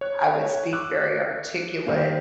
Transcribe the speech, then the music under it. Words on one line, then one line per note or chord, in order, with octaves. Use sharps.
I would speak very articulate,
C#5 F#6
C#6 D6 E6 F#6
D#3 G3 A#3